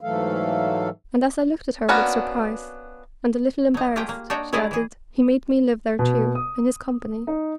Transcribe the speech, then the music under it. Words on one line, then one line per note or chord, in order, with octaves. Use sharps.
And as I looked at her with surprise, and a little embarrassed, she added, "He made me live there too, in his company."
G#2 E3 F#3 A3 A4 F5
A#3 B3 C#4 D4 F#4
F#3 D#4
A3 A#3 F4 G4 G#4 G5
A#3
D4 D#4 F#4 C#5 G5
F#3 G#3 E4 G#4 D5 D#5
E3 G#4
B2
D#6
D#4